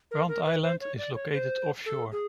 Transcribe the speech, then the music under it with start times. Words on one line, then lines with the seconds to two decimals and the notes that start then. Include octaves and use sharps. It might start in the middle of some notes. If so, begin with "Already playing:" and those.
Brant Island is located offshore.
0.11 A#4
0.28 A#4
0.46 B4
0.63 C5
0.80 C#5
0.98 D5
1.15 C#5
1.33 C5
1.86 A4
2.12 G#4